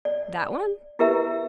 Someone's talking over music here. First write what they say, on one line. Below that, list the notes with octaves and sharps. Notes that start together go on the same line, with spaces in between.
"That one?"
D5
E4 G4 A#4 B4 E5 A#5